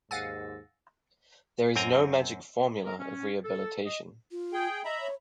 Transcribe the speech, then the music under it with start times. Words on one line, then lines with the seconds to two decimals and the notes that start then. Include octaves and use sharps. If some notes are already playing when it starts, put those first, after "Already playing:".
There is no magic formula of rehabilitation.
0.11 D#2 G#2 F5 F#5 G#5 E6 A6 A#6
1.76 F#2 C4 G5 G#5 A#5
2.85 A#4
2.99 C#4
3.44 A4
3.86 D#5
4.31 F4
4.53 G#4 G5
4.85 D#5 E5 A#5 B5
5.01 C#5